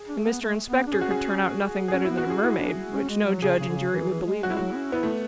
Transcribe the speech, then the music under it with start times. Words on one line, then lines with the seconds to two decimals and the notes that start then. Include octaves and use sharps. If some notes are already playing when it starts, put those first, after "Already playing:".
And Mr Inspector could turn out nothing better than a Mermaid, which no Judge and Jury would believe in.
Already playing: G#4
0.09 D4
0.18 A3
0.25 B3
0.42 A3
0.67 B3
0.87 D4
0.92 C#4 G#4
1.01 F#4
1.11 G#4
1.88 G#4
1.92 C#4 F#4
2.05 E4
2.09 B3
2.18 F#4
2.25 C#4 G#4
2.43 E4 F#4
2.59 D4
2.93 C#4
3.09 G#3
3.26 F#3
3.42 C#3 G#4
3.60 C#3
3.69 D3
3.76 C#3
3.93 E3
4.10 E3
4.27 G#3
4.43 F#3 F#4
4.50 E4
4.54 F#3 G#3 F#4
4.72 B3
4.76 C#4
4.92 B3 E4
5.03 A3